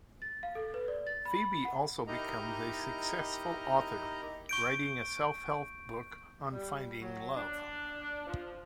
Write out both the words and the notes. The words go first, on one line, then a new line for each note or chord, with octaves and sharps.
Phoebe also becomes a successful author, writing a self-help book on finding love.
A6
F5
A4
B4
D5
A6
B5
F#5
D#4 E4 G4 A#4 D#5 A#5
C#6 G6 D7
G3
F#3
D4
F3